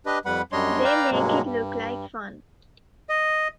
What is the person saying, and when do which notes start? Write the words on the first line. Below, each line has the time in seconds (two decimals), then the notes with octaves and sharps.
They make it look like fun.
0.06 D4 G4 B4 D#5
0.25 F2 G3 B4 F#5 B5
0.52 F#2 G3 D4 C#5 D#5 C6
0.84 B4 D5 F5 G5 A#5
1.11 G2 B2 F#3 G#3 A#3
1.42 G2
3.09 D#5